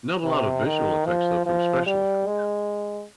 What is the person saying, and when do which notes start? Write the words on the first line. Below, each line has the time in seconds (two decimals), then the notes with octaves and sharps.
Not a lot of visual effects, though, from special effects,
0.24 C3
0.65 D#3
1.05 F3
1.46 F3
1.86 G3
2.26 G#3